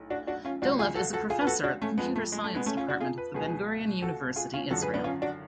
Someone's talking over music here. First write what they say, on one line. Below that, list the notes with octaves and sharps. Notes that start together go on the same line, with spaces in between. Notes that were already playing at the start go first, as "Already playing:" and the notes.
Dolev is a professor at the Computer Science Department of the Ben-Gurion University, Israel.
Already playing: B1 A2
D4 F#4
D4 F#4
C#4 F4
C#2 C#3 F#3 D4 F#4
F4 G#4
F#4 A4
F#4 A4
F4 G#4
B4
F#4 A4
D4 F#4
A3 C#4
F2 F3 G#3 B3
A3
G#3
A3
G#3 B3
A3 C#4
C#4 F4
D4 F#4
F4 G#4
B4
C#2 B2 F#3 G#4 B4
F#4 A4
F4 G#4
C#4 F4
G#1 F#2 D3 F3 F#4 A4
G#4 B4
B3 D4
C#4 F4
D4 F#4